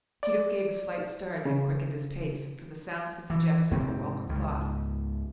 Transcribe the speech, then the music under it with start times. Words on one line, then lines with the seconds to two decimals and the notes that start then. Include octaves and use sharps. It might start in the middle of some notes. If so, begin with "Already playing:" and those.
Tito gave a slight start and quickened his pace, for the sounds had suggested a welcome thought.
0.23 D5
1.45 C#3
3.30 E3
3.71 G#2 C3 C4
4.29 C#2 G#2